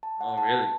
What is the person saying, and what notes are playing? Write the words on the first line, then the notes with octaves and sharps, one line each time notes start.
Oh, really?
A5
F#5
A5
A5